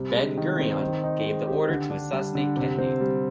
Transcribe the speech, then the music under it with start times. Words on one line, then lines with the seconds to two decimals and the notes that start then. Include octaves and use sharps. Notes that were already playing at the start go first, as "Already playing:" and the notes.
Ben-Gurion gave the order to assassinate Kennedy.
Already playing: C3 G3
0.15 G#3
0.37 D#3
0.59 C4
0.81 D#3
1.03 D#4
1.25 G#3
1.47 G4
1.69 D3
1.90 D4
2.12 G3
2.35 D3
2.57 C3
2.78 C4
3.01 G3